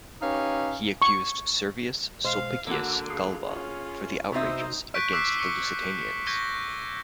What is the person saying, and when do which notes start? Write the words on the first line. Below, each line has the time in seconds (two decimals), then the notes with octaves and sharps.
He accused Servius Sulpicius Galba for the outrages against the Lusitanians.
0.22 C#4 D#4 G4 B4 C#5 F5
1.02 C#6
2.24 B2 G#3 C5 F5
2.67 D3 A#3 F#4 D6 E6
3.10 G#4 F5
3.46 C#4 F4
4.32 C3 B3 C4 D#4 F#4 C5 E5
4.95 C#6 F#6 G6 B6 D7
5.12 D6 E6 F#6 B6 C7
5.39 C#6 C#7 G7
6.27 C#6 G6 G#6 A#6 G7